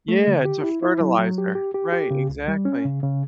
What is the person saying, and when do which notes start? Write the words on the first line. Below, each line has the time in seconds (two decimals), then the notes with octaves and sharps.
Yeah, it's a fertilizer. Right, exactly.
0.08 A3
0.27 D3
0.45 G4
0.63 E4
0.82 E4
1.00 F#3
1.19 F#3
1.38 G4
1.55 G4
1.74 G4
1.93 G4
2.11 C#3
2.29 C#2
2.48 G3
2.65 C#4
2.85 C#3
3.03 C#3